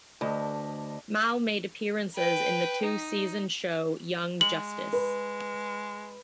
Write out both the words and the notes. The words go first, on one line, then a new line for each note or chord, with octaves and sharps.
Mal made appearances in the two season show "Young Justice".
D2 D4 B4 D#5
B4 G5
D#4
G#3 F#7
B4